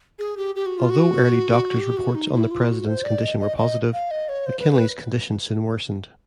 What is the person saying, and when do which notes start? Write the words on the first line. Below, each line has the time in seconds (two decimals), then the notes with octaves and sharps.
Although early doctor's reports on the President's condition were positive, McKinley's condition soon worsened.
0.19 G#4
0.37 G4
0.55 G4
0.66 F#4
0.78 F4
0.90 F#4
1.80 G4
1.97 F#4
2.15 D#4
2.33 E4
2.51 F4
2.69 F#4
2.86 C5
3.04 D5
3.22 D#5
3.39 D#5
3.57 D#5
3.93 F5
4.11 D#5
4.29 C#5
4.46 C5
4.59 B4
4.72 B4